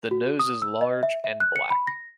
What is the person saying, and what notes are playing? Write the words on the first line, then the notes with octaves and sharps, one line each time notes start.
The nose is large and black.
F#4
D#6
E6
D#5
E5
E5
F#6
C#7
B5
A#6